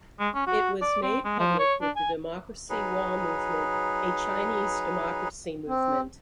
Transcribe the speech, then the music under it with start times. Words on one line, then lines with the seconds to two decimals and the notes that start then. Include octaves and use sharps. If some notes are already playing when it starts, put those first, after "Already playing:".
It was made public with the Democracy Wall Movement, a Chinese democracy movement.
0.20 G#3
0.35 C#4
0.47 F#4
0.82 D5
1.03 C4
1.25 G#3
1.39 F3
1.59 C#5
1.81 D4
1.96 G#5
2.70 F#3 D#4 G#4 B4
5.68 C4